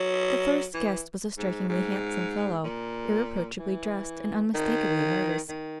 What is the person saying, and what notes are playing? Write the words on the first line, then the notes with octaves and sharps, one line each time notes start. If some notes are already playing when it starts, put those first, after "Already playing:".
The first guest was a strikingly handsome fellow, irreproachably dressed and unmistakably nervous.
Already playing: F#3
E3
G#2
G#2
A#2
E3
D#3
D#3